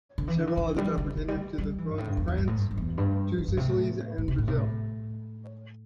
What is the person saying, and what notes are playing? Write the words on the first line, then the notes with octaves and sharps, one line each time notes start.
Several others are pretenders to the thrones of France, Two Sicilies, and Brazil.
D3
E3
D3
E3
E3
D3
G3
E3
D3
D3
G3
G3
E3
G2
A2
G2
E2
E2
G2
A2
G2
G2
E2
G2
E2
G2
C3
A2
A2
C3
A2
C3
A2